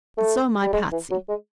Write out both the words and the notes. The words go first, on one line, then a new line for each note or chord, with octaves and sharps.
"And so am I, Patsy."
A3
G3
G#3
E3
F#3
G#3